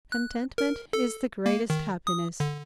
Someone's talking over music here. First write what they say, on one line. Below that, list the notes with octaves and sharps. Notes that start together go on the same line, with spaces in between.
"Contentment is the greatest happiness."
F#6
A#4
A4
A#3
D#3
D#6
D3